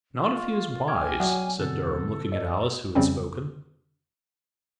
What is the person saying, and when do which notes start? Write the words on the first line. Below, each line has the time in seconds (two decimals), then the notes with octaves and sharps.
"Not if he is wise," said Durham, looking at Alice, who had spoken.
0.19 F4 C6 C#6
0.88 G5 G#5 D6 F6 G#6
1.20 F#3 D5 F#5
1.58 B2 D3 C4 A4
2.32 D5 D#5
2.95 F2 C#3 G3 C4 C#4